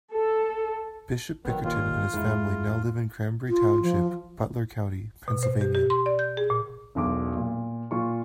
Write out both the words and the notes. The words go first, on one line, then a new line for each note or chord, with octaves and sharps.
Bishop Bickerton and his family now live in Cranberry Township, Butler County, Pennsylvania.
A4
G1 D#3 F#3 B3
D#2 A#2 F4
F2 G#2 E4
F4
F3
B2
C5
G4
G4
C6
D5
G6
G#4
A#2
E1 B1 D6
A#2
A#2 F4 C#6